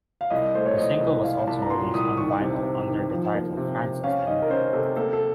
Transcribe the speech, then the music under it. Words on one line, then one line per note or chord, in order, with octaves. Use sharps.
The single was also released on vinyl under the title "Frances the Mute".
F5
C2 D#5
A3 C5
C#5
C2 D#5
C2
C2 F5
C2 A5
A#5
A#2 C6
C2 D#6
D#3 C#6
C3
C3
D#3
F3
A#3
C3
C3
C#4 F5
D#3 D#5
A#4
C#4 C5
C3 A4
A#3 A4
A4